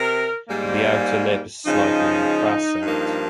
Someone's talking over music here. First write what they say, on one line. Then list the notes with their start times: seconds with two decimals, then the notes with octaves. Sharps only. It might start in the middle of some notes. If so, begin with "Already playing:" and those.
The outer lip is slightly incrassate.
Already playing: C3 A#4
0.49 G#2 G3 A#3
1.65 C#3 F3 G#3 D#4
2.82 G2 F3 A#3